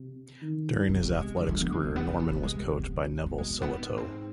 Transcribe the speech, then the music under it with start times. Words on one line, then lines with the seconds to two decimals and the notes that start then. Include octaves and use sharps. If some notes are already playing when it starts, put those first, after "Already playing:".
During his athletics career Norman was coached by Neville Sillitoe.
Already playing: C3
0.42 D#3
0.88 C3 B3
1.05 B3
1.21 G#3
1.37 D3 G3
1.49 F3
1.60 B3
1.72 G#3
1.84 C3 G#3
1.96 B3
2.08 C4
2.20 B3
2.32 B3
2.43 G#3
2.55 G#3
2.67 G#3
2.79 B3
3.11 B3
3.26 B2 B3
3.38 G#3
3.50 G#3
3.62 B3
3.74 G#2 B3
3.98 C4